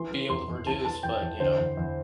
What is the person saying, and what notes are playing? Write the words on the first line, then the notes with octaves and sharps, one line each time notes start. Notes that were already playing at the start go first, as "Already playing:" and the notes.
be able to produce, but, you know,
Already playing: E3 C6
E3
E2 C6
E2
E3 A5
E3 A5
E2 G5
E2
D3 C5
E2
E2